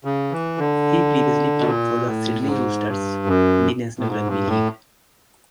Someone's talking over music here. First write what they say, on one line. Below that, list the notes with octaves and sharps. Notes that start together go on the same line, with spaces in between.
He previously played for the Sydney Roosters in the National Rugby League.
C#3
E3
D3
B2
A#2
A2
G#2
G2
F#2
A2
G#2
G2
A2